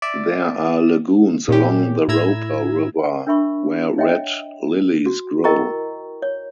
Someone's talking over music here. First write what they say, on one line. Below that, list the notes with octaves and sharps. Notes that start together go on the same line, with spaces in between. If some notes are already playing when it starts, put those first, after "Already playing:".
There are lagoons along the Roper River where red lilies grow.
D5 E5
A#2 C#4 G4
A2 E4 A#5 E6 G#6
D4 A#4 E5 B5 C#6
C#5 D#5 E5 F#5 G5
F#4
E4 A#4 D#5 G5 A#5 C#6
C#5